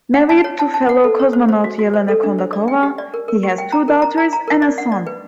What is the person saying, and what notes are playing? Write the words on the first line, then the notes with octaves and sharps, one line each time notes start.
Married to fellow cosmonaut Yelena Kondakova, he has two daughters and a son.
F#5
A5
C#5
A5
A5
F#5
A4
C#5
C5
C5
F#4
F#4
C5
A4
D4
C5
D5
G5
G4
D5
A#4
A#4
G4
G5
A#5
A#4
A#5
A#5
A#5
A#4
D5
F#5
D5
B4